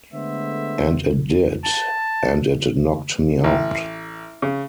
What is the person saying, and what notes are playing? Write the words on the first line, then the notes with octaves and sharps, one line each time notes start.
And it did, and it knocked me out.
D3 G#3 A3 B3 C5 E5
A5
A1
C#3